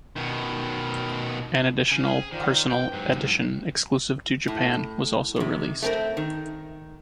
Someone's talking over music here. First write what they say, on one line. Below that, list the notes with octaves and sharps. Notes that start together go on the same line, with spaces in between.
An additional "Personal" edition exclusive to Japan was also released.
B2 D#3
C#3
C4 G#4
D#3 F4 C5 D5
G2 C4 G5
G#2 F#3
A2
C3 D#3
A3 C4 A#4
D#3